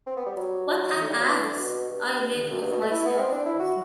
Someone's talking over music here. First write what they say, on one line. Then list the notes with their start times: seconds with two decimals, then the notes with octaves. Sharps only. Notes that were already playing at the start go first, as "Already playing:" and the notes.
What an ass I made of myself!
0.07 C4
0.17 B3
0.26 G3
0.37 F#3
1.02 A3
1.10 G3
1.20 F#3
1.29 E3
1.43 D3
1.56 B2
1.69 B2
1.90 G2
2.51 F#2
2.61 G2
2.71 B2
2.82 A3
2.92 E4
3.06 B3
3.19 C4
3.32 D4
3.46 E4
3.60 F#4